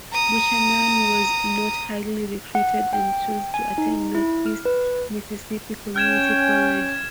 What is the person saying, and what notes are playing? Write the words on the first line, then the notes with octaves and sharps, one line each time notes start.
Buchanan was not highly recruited and chose to attend Northeast Mississippi Community College.
A#5 D#6
F#5
G5
G#5
D#4
E4
F6
B4
C#4 G5 F6 G#6 E7